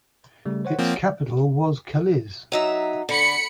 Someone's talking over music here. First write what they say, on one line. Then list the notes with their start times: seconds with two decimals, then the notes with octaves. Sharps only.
Its capital was Kalisz.
0.45 C#3 G3 A3
0.65 C5 C#5 F#5
0.79 F3 A#3 C4
2.52 F#3 D#4 E5
3.09 D3 B5 C#7